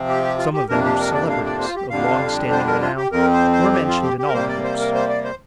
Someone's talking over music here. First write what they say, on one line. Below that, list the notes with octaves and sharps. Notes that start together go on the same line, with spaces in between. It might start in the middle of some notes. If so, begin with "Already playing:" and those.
Some of them are celebrities of long-standing renown, who are mentioned in all the books.
Already playing: C3 F3 C4
G4
G4
F4
G4
F2 C3 A#3 D4 A#4
G4
A#4
D5
F5
D5
C5
F4
G4
F2 D3 G3 D4 F5
C5
A#4
F4
G4
F2 F3 C4 A#4
C5
C5
G4
F4
G4
G4
A#4
C3 G3 A#3 C5
D5
C5
A#4
C5
D5
C5